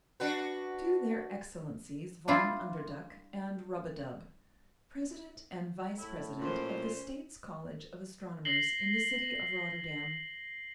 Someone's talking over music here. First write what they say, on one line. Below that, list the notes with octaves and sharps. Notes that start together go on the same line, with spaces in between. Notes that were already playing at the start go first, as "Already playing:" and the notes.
To their Excellencies Von Underduk and Rub-a-dub, President and Vice-President of the States' College of Astronomers, in the city of Rotterdam.
D4 F#4 B4
G3 D4 E4 F4
A2 E4
A#2 C#4 C5
A#6 C7 F#7 G7